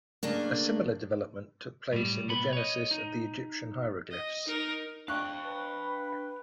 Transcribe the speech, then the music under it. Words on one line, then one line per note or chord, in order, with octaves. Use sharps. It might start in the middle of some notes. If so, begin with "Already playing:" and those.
A similar development took place in the genesis of the Egyptian hieroglyphs.
C#3 A3 A#3 D4
A2 G3
A#2 B3 B5
C#5 D#5
D#4
D#5
D#4 A#4
D4 F5 G5 C#6 F#6
B4